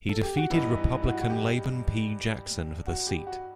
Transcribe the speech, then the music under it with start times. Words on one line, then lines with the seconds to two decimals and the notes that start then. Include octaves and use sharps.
He defeated Republican Laban P. Jackson for the seat.
0.09 A4
0.23 G4
0.37 F#4
0.50 G2 E3 G3 B3 D#4 E4
0.69 E4
1.02 E4
1.09 F#4
1.21 F#4
1.30 G4
2.87 F#4
3.07 G4
3.27 F#4